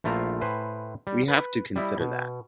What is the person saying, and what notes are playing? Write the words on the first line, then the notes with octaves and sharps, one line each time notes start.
We have to consider that.
A#1 A3 E4 F4 C5 A#5
A2 B4 C5 G#5
G3
B4
G3 E4 D#5
B2